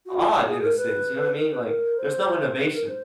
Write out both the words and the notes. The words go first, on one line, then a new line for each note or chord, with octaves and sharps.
odd in a sense. You know what I mean? Like, there's no innovation.
F#4
F4
G4
G#4
A#4
B4
A#4
B4
A#4
C5
B4
A#4
C5